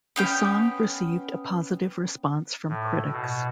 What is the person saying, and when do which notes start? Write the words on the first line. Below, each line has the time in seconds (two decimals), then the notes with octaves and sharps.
The song received a positive response from critics.
0.16 B3 C#4 G5
2.69 A2
3.12 B2